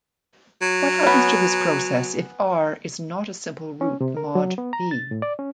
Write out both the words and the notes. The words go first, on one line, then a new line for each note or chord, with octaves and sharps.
What happens to this process if "r" is not a simple root mod "p"?
F#3
B3 C#4
C#4
C3
A#4
F#3
B3
A#5
A6
A2
D5
C#4